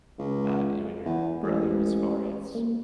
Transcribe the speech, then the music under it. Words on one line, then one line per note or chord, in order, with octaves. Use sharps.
uh, you and your brother as far as
C#2
E2
A1 G#3
A#3